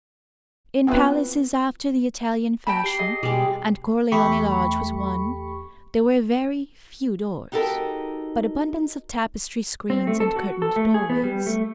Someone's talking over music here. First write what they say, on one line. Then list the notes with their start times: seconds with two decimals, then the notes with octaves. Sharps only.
In palaces after the Italian fashion, and Corleone Lodge was one, there were very few doors, but abundance of tapestry screens and curtained doorways.
0.87 B3 C4 E4 F4 B4
2.67 G5 A5 B5
2.84 G4 C7
2.99 G#4 D#5
3.23 B2 G3 G#3
4.12 E2 A3 G4 B5 C#6 C#7
7.52 D#4 F#4 G4 A4 A#4
9.90 C4
10.07 A3
10.20 A4
10.36 F#4
10.62 A4
10.76 A3
10.94 G#4
11.10 B3
11.23 G3
11.46 A3